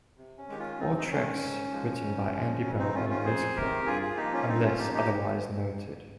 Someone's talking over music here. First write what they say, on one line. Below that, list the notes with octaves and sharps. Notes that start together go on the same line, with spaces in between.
All tracks written by Andy Bell and Vince Clarke, unless otherwise noted.
C3
C#4
D#3 G#3 G4
C#4 F4
C3 C4 D#4
D#4
D#3 G#3 C#4
G#2
F3 G#3
G#2
F3 G#3
F2
C4 D#4
C3 D#3 C#4 F4
C#4 F4
F2 G#4 C5
C3 D#3 G4 A#4
G2 F4 G#4
F4 G#4
F3 A#3 D#4 G4
C#4 F4
G2 C4 D#4
C#4 F4
F3 A#3 D#4 G4
D#4 G4